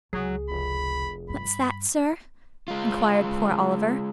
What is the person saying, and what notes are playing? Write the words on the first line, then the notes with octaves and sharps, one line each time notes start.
'What's that, sir?' inquired poor Oliver.
C#2 F#3 G#4
F1 B5
G2 B5
G#3 F4